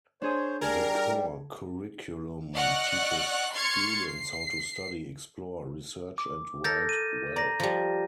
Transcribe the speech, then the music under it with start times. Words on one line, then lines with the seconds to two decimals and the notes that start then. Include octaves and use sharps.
The core curriculum teaches students how to study, explore, research, and write well.
0.22 D4 G#4 C5 C#5 D#6
0.61 G3 G#4 A#4 A5
2.54 D5 D#5 F#5 C#6 F6 F#6
3.52 C6 C#6 F6 G#6 A6 C#7
4.08 C7
6.18 D6
6.64 A4 A#4 G6 A6 A#6
6.89 D#7
7.36 D5 A#5 A#6
7.60 F3 G3